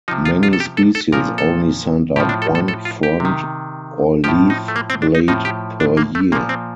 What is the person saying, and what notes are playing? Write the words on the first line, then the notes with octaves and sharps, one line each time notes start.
Many species only send up one frond or leaf-blade per year.
C3 F3 D#4
F4
F4
A4
G4
A4
A4
A#2 F3 A#4
A4
A2 F3 G4
D4
A4
A4
A4
F4
G4
C3 D#3
A2 F3 G4
D#4
A3
A#3
C4
D4
D#4
A2 F3 D#4
G4
D4
A#3
A3
A#2 F3 A#3
C4